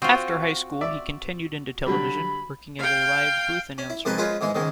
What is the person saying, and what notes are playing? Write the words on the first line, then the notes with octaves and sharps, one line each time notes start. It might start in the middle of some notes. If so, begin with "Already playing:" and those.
After high school he continued into television, working as a live booth announcer.
C4 F4 F#4
D5 E5
D3 F#3 G3 B5
F5 G5
C#4
E4
F2 G#3 D#4 B4 A5
G#3 C#4 F4 B4 C5
G#2 E3 G#3
C#2 G#2 D#3 G#3